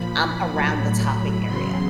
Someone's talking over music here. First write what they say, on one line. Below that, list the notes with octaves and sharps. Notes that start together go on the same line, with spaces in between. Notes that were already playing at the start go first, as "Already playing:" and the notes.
um, around the topic area.
Already playing: A#2 F3 B5
A2 F#3
E2 C#3 F#3 C6